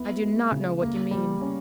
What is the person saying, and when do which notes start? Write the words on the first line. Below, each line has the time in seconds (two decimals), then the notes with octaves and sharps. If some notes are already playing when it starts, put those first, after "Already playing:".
"I do not know what you mean."
Already playing: B3 E4
0.22 G#3
0.51 C#3
0.81 A#3
1.11 G3
1.41 C#4